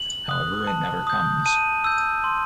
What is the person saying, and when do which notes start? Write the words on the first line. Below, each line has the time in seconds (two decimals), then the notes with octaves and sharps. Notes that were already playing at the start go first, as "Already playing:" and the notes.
However, it never comes.
Already playing: F#7
0.29 D#6 F#6
0.67 A5
1.07 D#6 G6
1.46 A5 D#7
1.84 E6 G6
2.24 C6